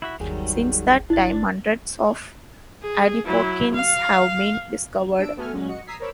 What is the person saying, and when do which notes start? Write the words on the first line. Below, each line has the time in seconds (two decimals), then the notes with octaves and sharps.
Since that time, hundreds of adipokines have been discovered.
0.02 E4 F#4 E5
0.20 G1 D#2 D#3 F#3 G3 G#4
1.10 G1 D4 E4 A6
2.82 G#4
3.25 F#3 E4
3.74 F5
5.18 D4 E6 D7
5.36 A3 B3 F#4 A4 G#5 F6
5.52 A#2 F#3 G#3 C#4
5.69 F#4 D#5 C#7
5.87 A#5 D#6 E6 G#6 B6 C7
6.00 A#4 C5 C#5 B5 D6 E6